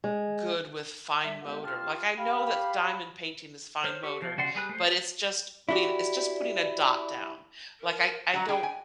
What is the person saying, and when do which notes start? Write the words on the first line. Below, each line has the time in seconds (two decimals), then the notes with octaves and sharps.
good with fine motor. Like, I know that diamond painting is fine motor, but it's just putting it's just putting a dot down. Like, I I don't
0.04 G#3
1.25 G3 E5
1.42 G2 A#2 G#3 B3 G4 F#5
1.63 F4 G4 A5 C6 F6
2.18 G4 F5 B5
3.84 C5 C#5 F6
4.03 G4 C#6
4.22 F3
4.38 C#3 F#4 D5 F#5 C6
4.55 G3 G#4 B4 F#6
4.69 A3 C5
5.69 E4 F#4 G4 D5
7.80 A#4
8.34 F#3 F#5 A#5
8.49 G#4 G5
8.63 G#5